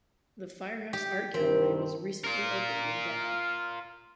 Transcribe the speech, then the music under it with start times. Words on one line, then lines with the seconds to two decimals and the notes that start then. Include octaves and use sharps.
The Firehouse Art Gallery was recently opened in Devon.
0.93 G4
1.34 G2 C3 D#3 C4 A#4
2.24 F4 A#4